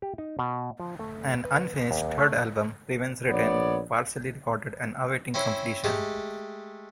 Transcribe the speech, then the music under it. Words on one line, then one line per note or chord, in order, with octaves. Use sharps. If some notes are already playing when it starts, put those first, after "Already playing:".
An unfinished third album remains written, partially recorded and awaiting completion.
G4
D#4
B2
F3
A3
B4
D#2
A3
A#1 B3 C#5 D5
C4 C#4 E4 C5
G#3 A3 G4